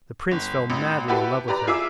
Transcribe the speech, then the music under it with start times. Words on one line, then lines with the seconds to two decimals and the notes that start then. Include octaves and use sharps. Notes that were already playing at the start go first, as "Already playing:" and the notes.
The prince fell madly in love with her.
0.31 G1
0.70 A1
1.08 E4 F#4 G4 A4 B4
1.48 G4 B4 D5 A#5
1.67 F4 G#4 E5 D6 E6